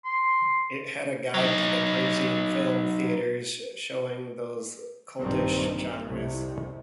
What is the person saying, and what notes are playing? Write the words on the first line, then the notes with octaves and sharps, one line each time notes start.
It had a guide to the Parisian film theatres showing those cultish genres.
C6
F#3 D#4
A#1 G2 D#3 C4
C2 F2 C3